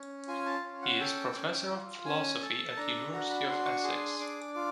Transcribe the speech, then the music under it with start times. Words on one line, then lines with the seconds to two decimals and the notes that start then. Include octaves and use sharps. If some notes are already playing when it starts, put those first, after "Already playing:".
He is Professor of Philosophy at the University of Essex.
Already playing: C#4
0.28 F4 G#5
0.46 A5
0.64 C#4
0.82 F#5
1.00 A4 G5
1.34 C#4
1.71 F4
2.05 C#4 G#5
2.41 A4 A5
2.77 D4 A#5
3.12 F#4 A#5
3.30 B5
3.48 D4 C6
3.65 C#6
3.84 G#4 C6
4.20 D4 D6
4.54 F4 D6